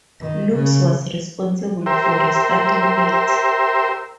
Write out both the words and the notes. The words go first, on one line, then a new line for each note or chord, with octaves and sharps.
Lopes was responsible for restarting it.
D#3
C#3
G4 A#4 C5 E5